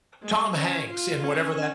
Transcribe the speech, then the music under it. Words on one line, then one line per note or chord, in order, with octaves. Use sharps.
Tom Hanks and whatever that
G#3
C#4
F4
C#4